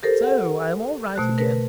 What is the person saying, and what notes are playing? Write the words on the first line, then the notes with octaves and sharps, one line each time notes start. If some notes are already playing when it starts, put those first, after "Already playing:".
So I am all right again.
G4 A4 A#4 C5
F#5
B2 A3 C5 F#6
A#4 B4